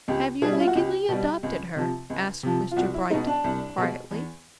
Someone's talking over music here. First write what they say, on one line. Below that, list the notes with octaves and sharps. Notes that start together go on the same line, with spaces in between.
"Have you legally adopted her?" asked Mr. Bright quietly.
C#2 G4
B2 G3 G#4
E4
F4
F#4
C#2 G4
B2 G3
C#2
C3 F3
C#2
C3 F3
F4
C2 F#4
E4
B2 G#3 D#4
D4
C2
B2 G#3
E2